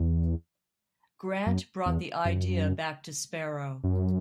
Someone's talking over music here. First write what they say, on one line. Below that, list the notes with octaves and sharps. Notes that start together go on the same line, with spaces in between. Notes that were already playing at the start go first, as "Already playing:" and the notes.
Grant brought the idea back to Sparrow.
Already playing: E2
F#2
E2
F#2
F#2